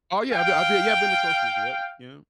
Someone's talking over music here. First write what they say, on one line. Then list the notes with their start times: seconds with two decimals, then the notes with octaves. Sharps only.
Oh, yeah, I've bee I've been yeah, I've been to Costa Rica. Yep, yeah.
0.32 F5 G5